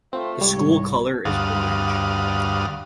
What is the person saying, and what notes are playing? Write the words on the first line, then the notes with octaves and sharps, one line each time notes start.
The school color is orange.
A3 C4 F4
C2 G#2 G3 C#5
D2 G2 F5 F#5 D#6